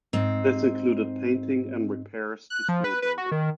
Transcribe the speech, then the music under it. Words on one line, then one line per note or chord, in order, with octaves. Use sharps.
This included painting and repairs to school buildings.
G#2 C4
F#6
F3
B4
B4
F#4
D#3